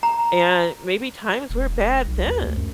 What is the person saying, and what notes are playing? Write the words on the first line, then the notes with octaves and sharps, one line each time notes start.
And maybe times were bad then,
A#5
E1
B1
D#2
D2
F#2